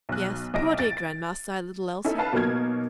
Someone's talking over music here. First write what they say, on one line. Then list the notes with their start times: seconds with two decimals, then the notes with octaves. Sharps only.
"Yes, poor dear grandma!" sighed little Elsie.
0.09 B1 F#6
0.54 C2 D#5 A#6 D7
0.79 A6 D7
2.05 C#4 D#4 E4 A4
2.18 B4 F5 A5
2.32 B2 F#3 A#3 D#4 F6 G#6